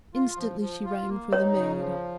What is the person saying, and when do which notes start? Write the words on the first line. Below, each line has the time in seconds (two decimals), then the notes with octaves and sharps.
Instantly she rang for the maid.
0.14 F4
0.38 F3
0.61 F3
0.85 F4
1.09 A#3
1.32 D#4 C#5
1.56 C#3
1.79 F3